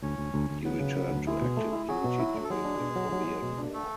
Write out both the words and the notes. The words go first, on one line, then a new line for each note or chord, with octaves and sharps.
He returned to active duty during the Korean War.
D2 C#4 C#5
D2
D2
D2
F#3 B3 B4
C#3
F#3
D2
G#3 E4 G#4
B2
A3
E4
F#3 F#4 G#4
B2
E4
A3
A4
F#3 G#3 G#4
D4
B2
F#3
F#3
F#3
B2
D4
A3 A4